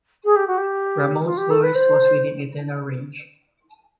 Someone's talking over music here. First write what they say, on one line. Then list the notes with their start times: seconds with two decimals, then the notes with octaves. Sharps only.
Ramone's voice was within a tenor range.
0.24 G#4
0.36 G4
0.47 F#4
0.57 G4
1.25 F4
1.37 G4
1.50 A4
1.63 B4
1.75 C5